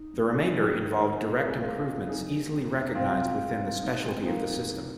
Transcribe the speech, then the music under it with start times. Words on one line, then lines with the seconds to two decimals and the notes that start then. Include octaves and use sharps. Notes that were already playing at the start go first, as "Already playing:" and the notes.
The remainder involved direct improvements easily recognized within the specialty of the system.
Already playing: D#4
0.13 F2
0.34 D#3 D#4 G#4
0.57 D#2
0.78 D#3
1.00 D#3
1.22 C3
1.33 A#4
1.43 C2 G#4
1.59 F4 A#4
1.65 D#3
1.87 C3
2.09 F2 D#4 G#4
2.30 D#3
2.52 F2
2.74 F2
2.95 C2 C4 F4
3.17 C2
3.39 C2
3.62 D#3
3.82 F2 A#3 D#4
3.94 D#4
4.04 F2 G#3 C4
4.22 C4
4.26 F2 A#3 D#4
4.48 F2
4.70 C2